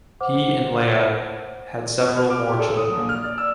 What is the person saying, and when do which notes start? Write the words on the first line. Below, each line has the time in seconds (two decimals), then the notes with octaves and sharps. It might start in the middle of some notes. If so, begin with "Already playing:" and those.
He and Leah had several more children.
0.21 C5 F#5 D6
2.17 F6
2.30 D6
2.46 G4
2.59 A4
2.77 D#6
2.95 A#1
3.09 F6
3.24 D5
3.38 E6